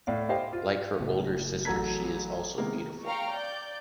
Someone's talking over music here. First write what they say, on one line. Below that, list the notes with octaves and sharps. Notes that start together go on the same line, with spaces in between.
Like her older sister, she is also beautiful.
A2 D5 F5
G4 C5 D#5 F5 G5
F4
F#1 A2
A1 F#3 A4 A#5 G#6 B6
C3 D#3 G#3 A#3 B3
F5 G5 A#5 C#6
D5 G6